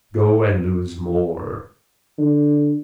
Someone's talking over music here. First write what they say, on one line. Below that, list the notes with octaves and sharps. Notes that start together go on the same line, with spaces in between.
Go and lose more.
D3